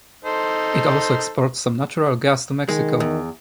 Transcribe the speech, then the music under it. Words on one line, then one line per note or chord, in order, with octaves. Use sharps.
It also exports some natural gas to Mexico.
D#4 A4 C5
D#3 G#3
E2